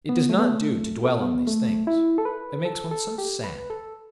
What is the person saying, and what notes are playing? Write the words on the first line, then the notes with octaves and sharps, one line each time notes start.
It does not do to dwell on these things; it makes one so sad.
B3
A3
B3
A3
A3
B3
A3
E4
A4
B4
A4
A4
G4
B4
A4